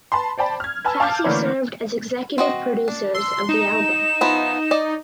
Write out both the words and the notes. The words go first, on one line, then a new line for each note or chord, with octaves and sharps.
Fassie served as executive producers of the album.
B4 A5 B5 C6
C5 D5 G5 A5 B5
F6 G#6
B4 G#5 A5 E6
F5 A5 D6 F6 G6
D3 E3 A3 A#3 D4 C#5
C4 F#4 D#5
D4
C6 E6
D#4 E7
F3 B3 E4
D5 D#5